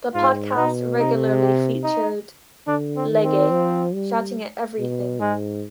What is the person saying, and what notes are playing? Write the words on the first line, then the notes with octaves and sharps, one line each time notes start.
The podcast regularly featured Legge shouting at everything.
G#2 F4
B2 D#4
C3 D#4
G4
D#4
D3 D4
C4
D#3
C4
F3
G3
B2
G#2 G#3